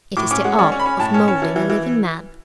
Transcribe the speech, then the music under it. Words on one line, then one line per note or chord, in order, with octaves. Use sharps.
It is the art of moulding a living man.
A2 D6
C#4 D6
G#3 F#5
C#4 D5
C#4
B5
C#4
A2 A5
C#4
C#4
E3
E3
E3